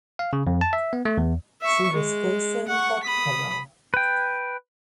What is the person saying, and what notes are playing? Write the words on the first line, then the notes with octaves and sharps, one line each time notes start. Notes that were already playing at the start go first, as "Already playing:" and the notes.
She was facing the pillow.
F5
C#3
F2
A5
E5
B3
A3
E2
E5 C#6
G#3
F#5 C#6
B5 D#6
B4 G5